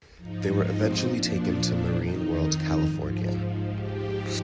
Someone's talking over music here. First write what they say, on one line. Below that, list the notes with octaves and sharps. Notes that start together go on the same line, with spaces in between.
They were eventually taken to Marine World California.
G#2 F3 D#4
C4
A#2 F3 D4
D4
F2 D#3 D#4
G#2 F3
G#2 F3 G4